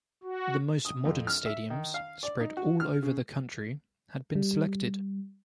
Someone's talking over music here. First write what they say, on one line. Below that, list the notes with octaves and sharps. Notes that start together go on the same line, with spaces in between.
The most modern stadiums - spread all over the country - had been selected.
F#4
D#6
F2
F6
E5
D#3
F5
D5
D#4
F#4
F6
C#3
G3